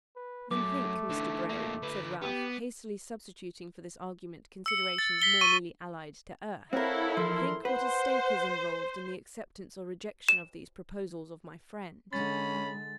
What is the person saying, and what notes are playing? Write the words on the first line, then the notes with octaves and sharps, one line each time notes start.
'Then think, Mr Bray,' said Ralph, hastily substituting for this argument considerations more nearly allied to earth, 'think what a stake is involved in the acceptance or rejection of these proposals of my friend.'
B4
F#2 A3 D6
D3 E3
F2 A#3
D3 B4
B3 G4
E6 C#7
A6
B6 G7
C#6 D#7
C4 E4 A4 A#4 C#5 F5 F#5
E2 F3 A#4 C6
B4 C5 F#5 C6
E7
D3 G#3 C#4 B5 A6